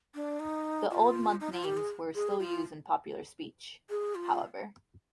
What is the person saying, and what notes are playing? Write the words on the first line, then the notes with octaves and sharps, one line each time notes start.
The old month names were still used in popular speech, however.
D4
D#4
F4
D#4
F4
G4
G#4
G#4
F4
G#4
F4